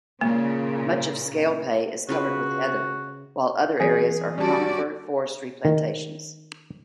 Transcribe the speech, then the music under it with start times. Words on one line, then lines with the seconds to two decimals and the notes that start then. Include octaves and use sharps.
Much of Scalpay is covered with heather, while other areas are conifer forestry plantations.
0.21 A#2 C#3 A#3
2.09 C#3 F4 F#4 B4
3.80 E3 F#3 C4 G#4
4.38 G3 C#4 F#4 D5 A5
5.65 D#3